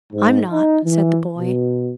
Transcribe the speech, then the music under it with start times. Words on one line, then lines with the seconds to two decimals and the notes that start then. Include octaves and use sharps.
"I'm not," said the boy.
0.13 G#2
0.50 D#4
0.85 E3
1.38 B2